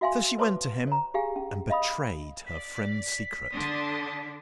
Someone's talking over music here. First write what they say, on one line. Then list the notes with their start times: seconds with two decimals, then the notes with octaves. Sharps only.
So she went to him, and betrayed her friend's secret.
0.01 F#4 E5 F5 G#5 C6
0.38 B4 C#5 A5 C6 D6
0.87 C#5 A#5
1.14 G4 G#4 F5 G#5
1.36 C#4
1.70 D#5 F5 B5 D#6
2.46 D5 B6
3.53 D3 D4 A5 C6 D#6